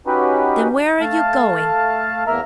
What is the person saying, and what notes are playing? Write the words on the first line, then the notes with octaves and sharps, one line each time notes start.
"Then where are you going?"
C#4 D#4 F#4 G4 B4
A3 F5 A5
E2 A#3 A#4 E5 A#5 F6